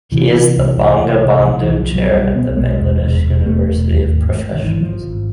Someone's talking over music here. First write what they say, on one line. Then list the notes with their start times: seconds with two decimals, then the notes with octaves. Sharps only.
He is the Bangabandhu Chair at the Bangladesh University of Professionals.
0.12 C3 E3
0.34 C3
0.57 C2
0.79 C2
1.00 C2
1.23 C3
1.45 B1 F3
1.63 E3
1.68 B1
1.79 F3
1.90 B1 F#3
2.12 B1 G3
2.35 B1 B3
2.57 B1 G#3
2.80 E1
3.02 E1
3.24 E1
3.46 E1 A3
3.69 E1
3.91 D#2
4.13 G#1
4.35 G#2
4.52 D#3
4.58 G#1
4.66 E3
4.80 G#1 F3
5.03 G#1